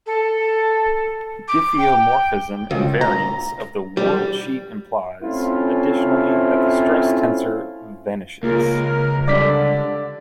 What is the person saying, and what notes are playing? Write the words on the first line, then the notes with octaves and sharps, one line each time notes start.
Diffeomorphism invariance of the worldsheet implies additionally that the stress tensor vanishes.
A4
D6
G5
C#2
A#5
G3
A3 C4 C#4 E4 F4
C#2 A#3 F4 G#4 A#4
D3 G3 D4 D5 B6